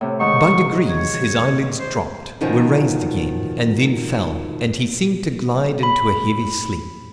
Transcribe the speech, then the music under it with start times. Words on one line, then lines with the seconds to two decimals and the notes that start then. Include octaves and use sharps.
By degrees his eyelids dropped, were raised again, and then fell, and he seemed to glide into a heavy sleep.
0.01 A2 C3
0.20 G#2 D#3 C#6
0.88 C#5
1.79 C5
2.41 B2 D#3 F3 C#4 D#4
5.83 B5